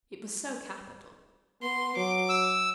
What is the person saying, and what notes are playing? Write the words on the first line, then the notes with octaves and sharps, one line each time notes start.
It was so capital!
B3 C6
F#3 D6
E6